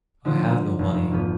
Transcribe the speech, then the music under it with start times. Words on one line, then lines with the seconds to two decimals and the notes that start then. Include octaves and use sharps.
"I have no money."
0.25 D3 F3 D#4 C5
0.79 F1
1.11 G#1 F3 B3